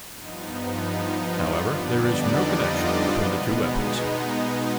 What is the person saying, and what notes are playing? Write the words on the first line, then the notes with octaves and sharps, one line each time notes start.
However, there is no connection between the two weapons.
G2 F3 B3 D#4
F3 F4
F2 D3 G3 B3 D4 D5
D#4 D#5
F3 F4
B2 G#3 B3
D#4